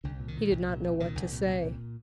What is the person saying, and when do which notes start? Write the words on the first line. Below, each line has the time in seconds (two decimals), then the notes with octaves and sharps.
He did not know what to say.
0.04 C2 D3
0.20 A#2
0.28 D#3
0.36 A#2
0.51 C2
0.68 A#2
0.84 C2
1.00 A#2 D#3
1.15 C2
1.31 A#2
1.48 C2
1.63 A#2